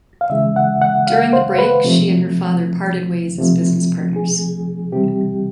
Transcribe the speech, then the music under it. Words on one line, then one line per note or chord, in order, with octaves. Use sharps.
During the break she and her father parted ways as business partners.
F5
C#3 E3 G#3 E5
F#5
F#5
F5
C5
B4
C3 F3 A3
C3 F3 A3
G#4
C3 E3 G3 G4